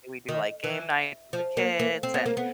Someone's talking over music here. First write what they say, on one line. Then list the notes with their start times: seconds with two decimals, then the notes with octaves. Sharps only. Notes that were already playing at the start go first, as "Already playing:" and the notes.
we do, like, game night with the kids and
0.29 D#3
0.64 E3
1.33 F3
1.57 A#3
1.80 A#3
2.03 C4
2.14 B3
2.26 A#3
2.37 B3